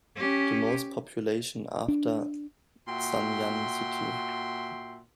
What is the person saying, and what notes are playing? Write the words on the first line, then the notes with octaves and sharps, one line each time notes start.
The most population after Zanjan city.
C#4 G4
D4
A#2 F#4 E5 G5 C6